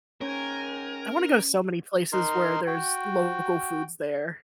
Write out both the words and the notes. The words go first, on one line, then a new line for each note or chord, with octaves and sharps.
I wanna go so many places where there's local foods there.
G#2 C#4 A#4 G5 G#5
D#4 A#4 C6
F#4 G5